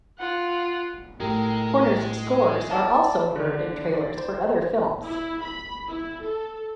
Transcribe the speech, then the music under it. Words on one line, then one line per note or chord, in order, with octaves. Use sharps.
Horner's scores are also heard in trailers for other films.
F4 F#5
A2 G#3 G4 A#4
D5 A5
D3
D5
C5
E4
B5
E4
A4